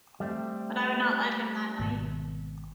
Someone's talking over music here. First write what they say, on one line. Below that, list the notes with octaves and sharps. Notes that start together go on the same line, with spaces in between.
But I would not let him that night.
G3 A3 C4
G#1 B2